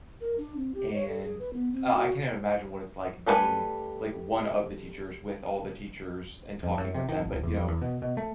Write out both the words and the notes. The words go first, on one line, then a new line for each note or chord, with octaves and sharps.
and, uh, I can't even imagine what it's like being, like, one of the teachers with all the teachers and talking with them. But, you know,
A#4
D4
C4
G4
C#5
A4
G#4
B4
B3
C4
F#4
G3 A3 A4 B4 G#5
F2
F#2
C3
D#3
G#1
D1
E2
F2
E2
B2
B2
A3